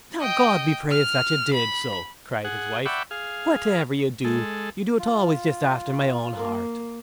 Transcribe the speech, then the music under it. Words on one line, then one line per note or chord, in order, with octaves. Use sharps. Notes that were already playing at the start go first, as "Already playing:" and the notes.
'Now, God be praised that you did so!' cried his wife; 'whatever you do, you do it always just after my own heart.
D#5 G5
F6
B5
G#4 F#5
D5 E5 F#5 G5 B5 C#6
G#4 F5
G#3 A4
F4
A#3